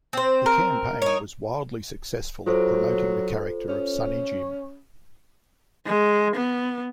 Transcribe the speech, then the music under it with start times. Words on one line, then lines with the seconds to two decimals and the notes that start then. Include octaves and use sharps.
The campaign was wildly successful at promoting the character of Sunny Jim.
0.13 C4 C5
0.46 A#4
1.02 D#4 C#5
2.47 F#3 F4 A4 C5
3.69 C#4
5.86 G#3
6.36 B3